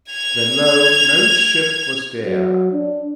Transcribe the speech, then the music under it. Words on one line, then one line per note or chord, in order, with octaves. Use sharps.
When lo! no ship was there!
G#6 F7
F#3
D4